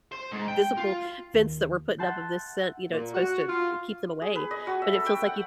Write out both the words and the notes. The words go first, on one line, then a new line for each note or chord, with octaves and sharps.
Visible fence that we're putting up of this scent, you know, it's supposed to keep them away, but it feels like you
C5
G#2
G5
F4
D#2
E5 F#5 A5 C6 G6
A#2
F#4
F4
G#4
B4
D#5
F#4
E5
A4
G5
F#5